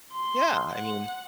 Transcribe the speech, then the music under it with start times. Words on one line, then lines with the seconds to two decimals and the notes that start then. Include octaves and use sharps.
Yeah, I mean
0.11 C6
0.73 F#5